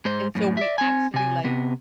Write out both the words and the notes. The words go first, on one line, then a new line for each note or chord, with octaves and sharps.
And so, we actually, like
G#2 C5
F#2 A2
D5 E5
C4 G#5
C3 G#5
C3 B3